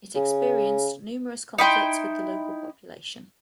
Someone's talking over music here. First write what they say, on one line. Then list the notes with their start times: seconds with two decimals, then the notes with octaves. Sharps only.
It experienced numerous conflicts with the local population.
0.15 C#3
1.58 D#4 E4 G5 C6